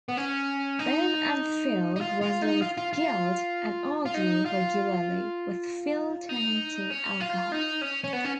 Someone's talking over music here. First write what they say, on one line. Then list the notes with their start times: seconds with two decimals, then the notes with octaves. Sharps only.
Ben and Phil wrestle with guilt and argue regularly, with Phil turning to alcohol.
0.09 B3
0.17 C#4
0.79 D#4
1.96 D#4
2.01 F4
2.21 F4
2.42 D#4
2.62 F4
2.77 F4
2.93 F4
4.06 F4
4.14 D#4
4.46 F4
6.29 D#4
6.90 C#4
7.20 F4
7.52 D#4
7.81 C#4
8.04 C#4
8.13 B3
8.25 C#4